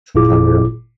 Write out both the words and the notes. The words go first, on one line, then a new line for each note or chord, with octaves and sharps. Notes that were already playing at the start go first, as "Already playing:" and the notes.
sometime ago.
G1 A#2 E4 F4 G#4 D6